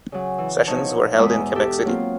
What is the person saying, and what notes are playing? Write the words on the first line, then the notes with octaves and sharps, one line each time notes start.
Sessions were held in Quebec City.
C#3 F#3
E3
B2 F3 D#4 C#5 A5 G6
E2 G#2 G#3 E5 B5 D#6
G4 A4
F#3 A#3 C4 F4